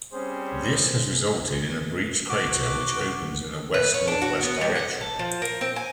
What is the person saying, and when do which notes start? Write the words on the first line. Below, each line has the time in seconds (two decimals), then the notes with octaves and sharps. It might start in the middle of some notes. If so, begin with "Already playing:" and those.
This has resulted in a breached crater which opens in a west-northwest direction.
0.13 G3 C4 C#4 G#4 C5
2.29 F#4 D6
3.74 B4
3.94 C#5
4.08 D4
4.21 F#4
4.43 B3
4.61 G3
4.75 F#5
5.01 A4
5.19 F3
5.42 A#4
5.61 C4
5.76 G#5